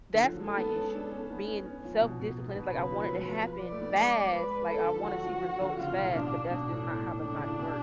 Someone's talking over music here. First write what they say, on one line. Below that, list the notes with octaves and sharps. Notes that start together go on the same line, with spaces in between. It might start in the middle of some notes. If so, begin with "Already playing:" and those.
that's my issue. Being self-disciplined, it's like I want it to happen fast, like I wanna see results fast, but that's just not how the body works.
D3
F3
F#3
G#3 A4
B3
C#4
D4
C#4
B3
C#4
C#4
F3
B2
B2
B2
B2 B4
C#3
F3
F#3
F3
D5
A3
B3
G#3
B4
A4
D3
F3
F#3 F#4
F3
F3
D3
C#3 F4
B2
A2
B2 D4
B2 D4
A2
A2
A2 D4
C#3
C#3
B2